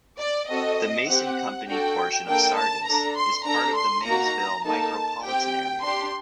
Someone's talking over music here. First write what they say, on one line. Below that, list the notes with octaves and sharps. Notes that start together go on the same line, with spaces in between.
The Mason Company portion of Sardis is part of the Maysville micropolitan area.
D5
C4 F#4 A4 D#5
C4 G4 F#5
D4 F#4 A4 G5
A#3 D4 A4 G5
A5
D4 A4 A#5
C6
D4 A4 A#5
C6
A#3 D#4 F#4 A#5
A#3 D#4 A4 A5
C4 G4 G5
D4 G4 C6